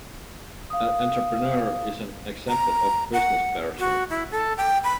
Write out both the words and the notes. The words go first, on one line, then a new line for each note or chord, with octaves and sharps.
An entrepreneur is an example of a businessperson.
F5 D#6
A#5
F#5
F#4
E4
A4
G5
B5